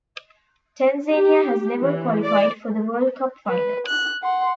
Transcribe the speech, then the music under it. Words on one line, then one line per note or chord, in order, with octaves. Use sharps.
Tanzania has never qualified for the World Cup finals.
G4
E3
D5
B4
F#6
F#5 C6